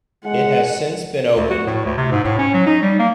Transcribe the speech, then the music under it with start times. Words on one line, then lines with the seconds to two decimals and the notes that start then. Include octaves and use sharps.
It has since been opened.
0.25 G#3 F#5
1.35 D2
1.50 F#4
1.66 A2
1.85 D2
1.97 C3
2.12 G#2
2.24 A2
2.39 C#4
2.54 F#3
2.66 D#4
2.82 G3
2.99 A#3